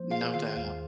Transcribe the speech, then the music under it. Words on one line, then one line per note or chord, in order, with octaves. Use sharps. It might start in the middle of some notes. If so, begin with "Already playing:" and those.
No doubt.
Already playing: F3 A#3 C5
F4 G#4 F5
D#3 F4 F5
D#2 F4 F5